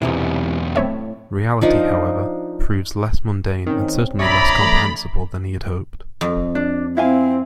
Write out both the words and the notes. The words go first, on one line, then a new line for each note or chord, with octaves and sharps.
Reality, however, proves less mundane and certainly less comprehensible than he had hoped.
B1 E2 G#2 C3 E3
A2 C4 C#5 E5
F3 D4 D#4 A#4
D#3 C4 C#4
A#1 G#4 C#5 D5 E5 A#5 B5
E3 A3
F2
D4
C4 E4 F5 G#5